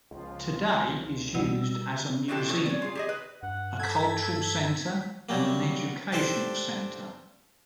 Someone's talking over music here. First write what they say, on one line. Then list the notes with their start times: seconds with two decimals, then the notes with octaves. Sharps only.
Today, it is used as a museum, a cultural center, and an educational center.
0.11 C#2 F3 B3 F4
1.35 B2 G3 F#4 F#5 E6
2.28 B2 D3 E3 F3 G4 A4
2.49 B2 A3 C#4
2.66 C#4 D5
2.82 F4 G#4
2.95 G4 G#4 D#5
3.09 B4
3.43 G2 F#5
3.80 A4 G#6 B6
5.29 F#3 G3 A#3
6.12 D4 G4 A4 C5 D5